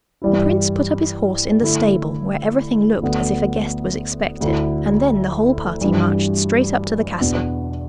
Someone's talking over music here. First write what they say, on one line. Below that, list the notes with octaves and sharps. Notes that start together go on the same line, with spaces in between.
The prince put up his horse in the stable, where everything looked as if a guest was expected, and then the whole party marched straight up to the castle.
G2 E3 G3 E4
D3 A3 E4
D2 D3 B3
D2 D3 A3 E4
G2 E3 G3 D4
E2 B2 B3 D4